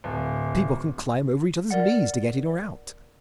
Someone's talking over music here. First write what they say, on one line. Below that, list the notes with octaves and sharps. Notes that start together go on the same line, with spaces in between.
People can climb over each other's knees to get in or out.
D1
A#4 D5 F#5